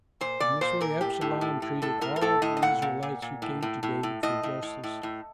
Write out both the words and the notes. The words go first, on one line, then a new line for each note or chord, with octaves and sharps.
In this way Absalom treated all the Israelites who came to David for justice.
A#2 C5
A#2 D5
A#2 C5
A#2 A#4
A2 G4
A2
A2
A2
A2 A4
A2 A#4
A#4
A2 A4
A2 D#5
D#5
A#2 F#5
A#2
A#2
A#2
A2
A2
A2
A2
A2 D#5
A2
A2
A2
A2